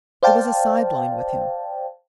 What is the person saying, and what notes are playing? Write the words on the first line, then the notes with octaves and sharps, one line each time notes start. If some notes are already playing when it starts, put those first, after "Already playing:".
It was a sideline with Him.
C5 D5 F5 G5 A5